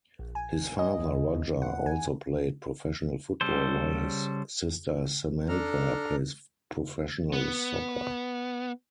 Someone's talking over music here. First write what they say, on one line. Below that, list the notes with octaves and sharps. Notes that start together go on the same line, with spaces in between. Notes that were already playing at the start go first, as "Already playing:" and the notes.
His father Roger also played professional football, while his sister Samantha plays professional soccer.
A#1
G#5
D#5
D#2
F#5
G#5
C#3 G3 A4 C5
D4 A4 A#5 F6
B3